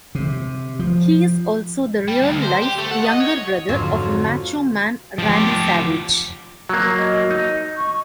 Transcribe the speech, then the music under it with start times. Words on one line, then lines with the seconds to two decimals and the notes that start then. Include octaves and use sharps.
He is also the real-life younger brother of "Macho Man" Randy Savage.
0.15 C3
0.79 F3
2.08 G3
2.23 D2
2.42 C5
2.62 G4
2.78 A3
2.92 F#5
3.05 D#5
3.20 C#5
3.69 F2 G#2 D3 F#3 F4
5.19 F3 G4
6.69 F#3 A#3
6.98 D#5
7.30 D#4
7.77 C#6